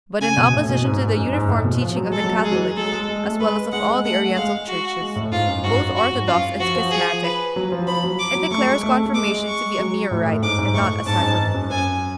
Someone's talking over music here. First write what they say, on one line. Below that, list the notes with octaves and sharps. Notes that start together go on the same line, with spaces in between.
But, in opposition to the uniform teaching of the Catholic, as well as of all the Oriental churches, both orthodox and schismatic, it declares Confirmation to be a mere rite and not a Sacrament.
C#3 G#5
B2
A2
B2
G#2
G#2
F#2
G#2
A2
B2
F3
F#3
G#3 A4
F#3
G#3
G#4
F#3
G#3 A4
G#3
G#3
A3
G#3 B4
G#3 F#5
G#3
A3 F#5
A3
G#3 F5
F#4
G#3
A2
G#2 F4
F#2
G#2 F#4
F#2
F#4
G#2
F#2 F4
F3 F#4
F3
G#4
B4
F#3
F3
F3 B5
F#3
D6
F#3
A3 C#6
G#3
A3
A3
G#3 D6
G#3
C#6
F#3
A2
A2
G#2 D6
G#2
A2 C#6
G#2 A5
F#2
G#2
G#2
F#2
F#2 G#5